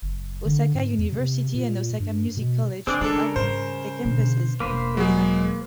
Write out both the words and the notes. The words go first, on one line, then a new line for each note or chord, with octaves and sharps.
Osaka University and Osaka Music College have their campuses in Toyonaka.
F#1
D3
G#2
E2
C3
A#2
G2
B2
D#3 C4 D4 G#4 D5
C#3 G#3 D4 A4 A#4
G#2 G3 C5
B2 D3
E1 A#3 B4 C5
F#3 G#3